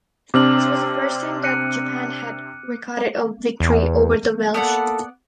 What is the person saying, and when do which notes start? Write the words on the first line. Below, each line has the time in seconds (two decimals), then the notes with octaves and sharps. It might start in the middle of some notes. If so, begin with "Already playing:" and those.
This was the first time that Japan had recorded a victory over the Welsh.
0.34 C3 C4 D4 D6 F6 F#7
1.43 F#6 C#7 D#7
3.60 E2
4.54 A#3 B3 A4 D5 F#5